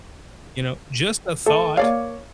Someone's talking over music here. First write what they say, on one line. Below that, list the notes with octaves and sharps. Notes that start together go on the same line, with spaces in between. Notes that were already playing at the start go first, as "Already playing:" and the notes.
You know, just a thought."
A3 A4
A#3 C#5 D5 F5